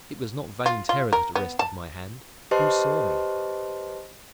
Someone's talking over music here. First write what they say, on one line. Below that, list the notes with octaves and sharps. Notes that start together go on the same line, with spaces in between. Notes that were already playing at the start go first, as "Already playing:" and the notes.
It was not vain terror that arrested my hand. Who saw me?
F4
F4
A#4
B3
A5
G4 B4 C5 D#5 A5 C6